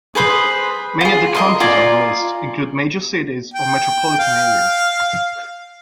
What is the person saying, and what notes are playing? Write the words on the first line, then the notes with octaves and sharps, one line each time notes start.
Many of the counties on the list include major cities or metropolitan areas.
G#4 B4 C5 D#6
F4 G#4
A#4 D#5 C6
F4 D5 G#5 A#5
G5
F5